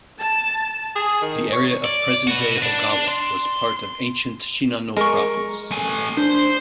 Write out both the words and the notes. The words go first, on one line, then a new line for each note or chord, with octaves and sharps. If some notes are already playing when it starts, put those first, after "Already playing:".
The area of present-day Ogawa was part of ancient Shinano Province.
A5
G#4
D#3
C#5
D5
F#4 B4
D4
C6
G#3 A#4 C#6
A3 G#5
D4 C5